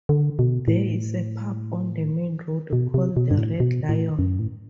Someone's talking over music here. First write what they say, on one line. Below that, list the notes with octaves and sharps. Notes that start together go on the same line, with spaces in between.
There is a pub on the main road called the Red Lion.
D3
B2
A2
B2
C3
B2
G2
A2
B2
A2
F#2
A2